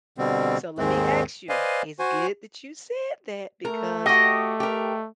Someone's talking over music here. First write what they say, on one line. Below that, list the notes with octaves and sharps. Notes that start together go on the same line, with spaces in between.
So let me ask you. It's good that you said that, because
B2 D3 G3 C4
D#2 G#2 D#3 G#3 C4
B4 C5 D5 D#5 F5 G#5
F#4 C5 G#5
A3 A#4
F#4 G4 D#5
G4 A#4